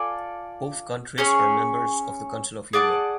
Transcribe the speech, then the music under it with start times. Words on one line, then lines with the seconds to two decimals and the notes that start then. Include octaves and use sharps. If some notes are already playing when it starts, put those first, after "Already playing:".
Both countries are members of the Council of Europe.
Already playing: F4 A4 D5 G#5
1.18 C#4 G#4 C#5
2.73 G#4 D5 F#5 A5